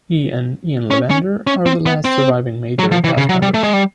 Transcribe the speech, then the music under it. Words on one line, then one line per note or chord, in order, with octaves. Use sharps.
He and Ian Lavender are the last surviving major cast members.
C#4
C#4
C#4
C4
B3
C4
F#3
F3
E3
C#3
F#3
G3
A3
G#3
G3